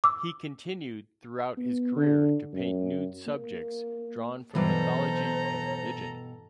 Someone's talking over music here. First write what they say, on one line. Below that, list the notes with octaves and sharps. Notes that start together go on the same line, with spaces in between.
He continued throughout his career to paint nude subjects drawn from mythology and religion.
D6 E6
B3
D3
F#2
A#3
G2 B2 E3 F#3 A4 C5 D5 A#5